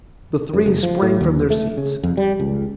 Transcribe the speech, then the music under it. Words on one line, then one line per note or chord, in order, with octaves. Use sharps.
The three sprang from their seats.
F#2
F#1
F3
A2
D#2
A3
C#3
F2
G3
C#2